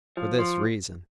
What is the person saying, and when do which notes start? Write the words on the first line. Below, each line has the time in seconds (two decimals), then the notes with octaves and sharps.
For this reason.
0.17 F3
0.39 F3